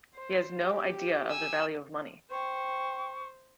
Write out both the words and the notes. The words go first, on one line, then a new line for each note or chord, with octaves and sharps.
He has no idea of the value of money.
C5
G4
G#5 E6
C5 G5 C#6